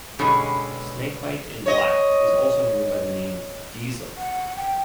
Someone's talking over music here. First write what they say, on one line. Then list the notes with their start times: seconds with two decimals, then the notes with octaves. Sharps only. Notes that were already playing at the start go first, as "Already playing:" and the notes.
Snakebite and black is also known by the name diesel.
0.19 B2 D3 E3 G#3 C#4 G4
1.66 C#5 D#5
4.17 F#5
4.56 G5